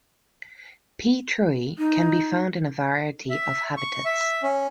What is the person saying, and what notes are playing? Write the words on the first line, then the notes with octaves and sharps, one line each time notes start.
"P. truei" can be found in a variety of habitats.
D#4
E5
C#6
E5
C#4